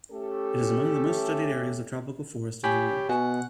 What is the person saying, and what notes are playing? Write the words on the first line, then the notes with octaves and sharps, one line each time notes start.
It is among the most-studied areas of tropical forest in the world.
A3 C#4 G4 A4
G4 C#5 G5 G#5 B5
B2 F#4 F#5 G#5